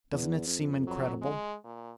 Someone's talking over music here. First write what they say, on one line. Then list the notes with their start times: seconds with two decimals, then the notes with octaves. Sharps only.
Doesn't it seem incredible!
0.13 E2
0.47 F2
0.87 F#3
1.21 G#3
1.64 A#2